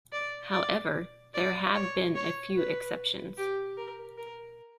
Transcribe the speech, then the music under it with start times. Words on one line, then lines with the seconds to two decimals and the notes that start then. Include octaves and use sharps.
However, there have been a few exceptions.
0.12 D5
0.52 D5
1.34 D5
1.74 C#5
2.15 C#5
2.56 B4
3.37 G4
3.77 A#4
4.18 A#4